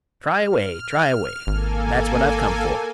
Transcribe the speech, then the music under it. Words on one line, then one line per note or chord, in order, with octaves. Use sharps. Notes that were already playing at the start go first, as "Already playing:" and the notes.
"Try away, try away; that's what I've come for."
F6
G#1 A#3 A4 G#5